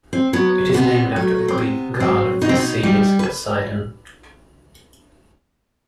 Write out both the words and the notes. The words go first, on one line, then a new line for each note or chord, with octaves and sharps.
It is named after the Greek god of the seas, Poseidon.
C4
F#3 B3
C3 B3
F#3 A3
C4
C3 B3
F#3 C4
B2 D#4
C4
D#4
G3
B4